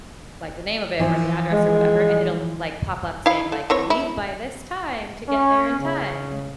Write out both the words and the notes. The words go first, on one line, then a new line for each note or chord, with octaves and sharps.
like the name of it, or the address or whatever, and it'll like pop up saying like, "Leave by this time to get there in time."
E3 F3
G#3
E4 F5
A3
E3 C4 C#5
E4
C#4
C#3